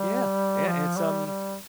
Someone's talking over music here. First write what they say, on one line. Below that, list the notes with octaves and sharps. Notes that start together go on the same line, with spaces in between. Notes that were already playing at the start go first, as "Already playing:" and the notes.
Yeah, yeah, it's, um,
Already playing: G3
F3
G3
G3